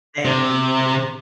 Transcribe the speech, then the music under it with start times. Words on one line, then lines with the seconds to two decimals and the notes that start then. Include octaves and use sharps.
Thank you, you too.
0.25 C3